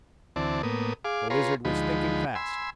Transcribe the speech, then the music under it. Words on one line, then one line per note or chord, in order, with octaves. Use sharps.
The Lizard was thinking fast.
D2 E3 C4 D5 A5
A2 A#3 B3 D#6
G#4 F5 D6
F4 G#4 B4 C#5 A#5 C6
D2 F3 G#3 D#4 B5
G#5 B5 C6 E6